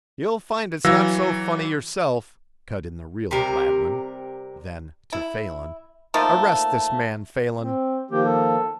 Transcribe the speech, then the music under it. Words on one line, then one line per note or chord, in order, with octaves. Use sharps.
"You'll find it's not so funny yourself," cut in the real Gladwin. Then to Phelan, "Arrest this man, Phelan."
E3 F#3 F5 E6 G#6 A#6
C3 G3 A#4
E4
D#3 F3 A3 A#3
C4
D#3 F3 A#3 G4
A4